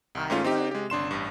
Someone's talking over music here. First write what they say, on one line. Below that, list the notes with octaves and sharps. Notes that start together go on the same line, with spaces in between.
I learned,
C2
G#2 A3 C#4 F4
C4 D#4 G4
G#3 G4
G1 D4 C6 E7
A1 G2